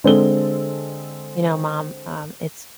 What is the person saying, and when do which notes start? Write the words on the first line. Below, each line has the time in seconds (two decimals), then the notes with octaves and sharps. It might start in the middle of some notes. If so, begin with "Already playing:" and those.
"You know, mom, um, it's
0.04 D3 G#3 C4 G#4 A4 G7